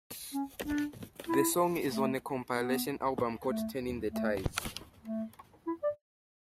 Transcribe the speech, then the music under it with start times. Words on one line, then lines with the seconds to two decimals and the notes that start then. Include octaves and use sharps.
The song is on a compilation album called "Turning the Tide".
0.34 C#4
0.65 D4
1.28 E4
1.91 A3
2.54 B3
3.48 A3
4.11 A3
5.05 A3
5.67 E4
5.83 D5